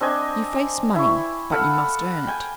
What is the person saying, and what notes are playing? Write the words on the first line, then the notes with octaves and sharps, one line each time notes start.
You face money, but you must earn it.
C4 D4 D#5 G#5
E4 C#6
A4 F5 F#5 B5
G5 G#5